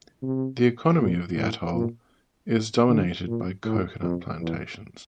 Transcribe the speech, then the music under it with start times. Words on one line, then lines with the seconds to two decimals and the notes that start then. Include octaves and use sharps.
The economy of the atoll is dominated by coconut plantations.
0.23 C3
0.98 A#2
1.37 A2
1.74 A#2
2.89 D3
3.27 A#2
3.65 A2
4.03 F2
4.41 E2